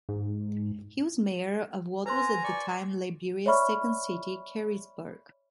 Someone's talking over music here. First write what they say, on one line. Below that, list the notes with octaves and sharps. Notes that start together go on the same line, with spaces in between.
He was mayor of what was at the time Liberia's second city, Careysburg.
G#2
B4 C5 G#5 A#5 C6
D5 C#6
C#5 D5 E5 B5 C#6 F6